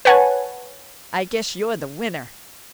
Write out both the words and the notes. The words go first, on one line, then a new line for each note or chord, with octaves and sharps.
I guess you're the winner!
B4 C#5 F#5 G#5 A5